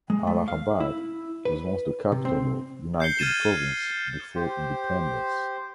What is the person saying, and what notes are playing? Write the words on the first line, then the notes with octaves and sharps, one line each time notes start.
Allahabad was once the capital of United Province before independence.
G#3
A3
F5
E4
B4
C3
C4
G6 C7 C#7 G7
F6 G#6 A6 D#7 E7
G4 C5